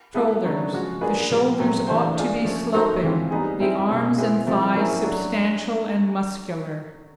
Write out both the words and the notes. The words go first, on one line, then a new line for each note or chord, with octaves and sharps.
SHOULDERS--The shoulders ought to be sloping, the arms and thighs substantial and muscular.
G#3 B3 E4 A4
C#3 F#3 A3 D4
F3 G#3 C#4 F#4
A#3 D4 F4 G#4 B4
A#2 F3 G#3
A#2 F#3 A3 C4
E3 A3 D4 G4 C5
A3 D4 F4 G#4
F3 A3 C#4
A#3 D#4 F#4 A4 C5
E3 G#3 C4 F4
G3 B3 D#4 G#4
G3 C4 E4 G#4
B2 G#3 C#4
G#3 B3 E4 G#4 C5
C3 F3 A3 C4 E4
F#3 A#3 C#4 E4 G#4
F#3 A3 D4